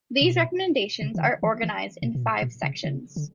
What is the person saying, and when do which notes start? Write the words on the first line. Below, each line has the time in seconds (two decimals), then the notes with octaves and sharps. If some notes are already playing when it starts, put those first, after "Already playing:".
These recommendations are organized in five sections.
0.21 B2
1.02 C#3
1.15 E3
1.22 D3
1.43 E3
1.63 E3
2.02 B2
2.15 B2
2.23 A#2
2.42 B2
2.63 C#3
2.84 D3
2.89 C#3
3.16 D3